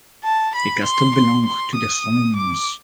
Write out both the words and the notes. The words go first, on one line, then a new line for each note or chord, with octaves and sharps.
The castle belonged to the Homes.
A5
B5
C6
C6
C6
D#6
D6